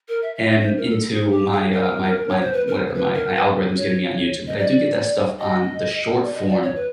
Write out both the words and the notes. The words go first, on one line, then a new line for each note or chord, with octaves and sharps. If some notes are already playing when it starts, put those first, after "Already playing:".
em, into my, uh, my my, whatever my, my algorithm's giving me on YouTube. But I do get that stuff on the short-form,
A#4
E5
E5
E5
C5
A#4
A4
G#4
G4
G#4
A#4
C#5
C5
B4
A#4
C5
B4
A#4
B4
C#5
D#5
D5
D#5
D5
D#5
D5
C#5
B4